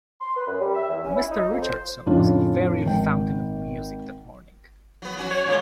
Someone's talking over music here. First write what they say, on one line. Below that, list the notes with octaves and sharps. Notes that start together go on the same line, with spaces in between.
Mr. Richardson was a very fountain of music that morning.
C6
B4
F#2
G3
E5
E2
C#4
E4
D#4
F2
C5
F2 A2 C#3 D4 D#4 F4
G#1 G5
F#3 B3
F#3 C#4 F#4
C#5
A#2 E3 G#3